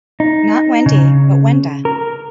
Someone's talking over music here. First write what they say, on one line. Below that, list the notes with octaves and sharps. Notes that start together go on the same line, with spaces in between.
Not Wendy, but Wenda.
D#4
C#3
A#4